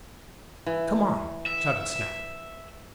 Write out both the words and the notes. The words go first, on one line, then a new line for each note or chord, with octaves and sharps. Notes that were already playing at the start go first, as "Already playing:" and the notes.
"Come on!" shouted Snap.
E3
E5